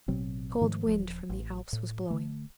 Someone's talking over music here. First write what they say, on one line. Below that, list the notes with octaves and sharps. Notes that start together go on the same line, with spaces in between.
A cold wind from the Alps was blowing.
A1 B2 F#3 C4
G#2 D#3 F3 A3
D#1 D#2 F3
A1
A2
D3 A3